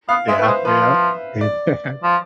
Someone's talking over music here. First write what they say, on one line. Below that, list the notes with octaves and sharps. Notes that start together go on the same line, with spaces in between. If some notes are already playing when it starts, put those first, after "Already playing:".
Yeah, yeah. Yeah.
B3 F5
G#3 E5
B4
A3
G#3 C5
F3 B4
D5
F3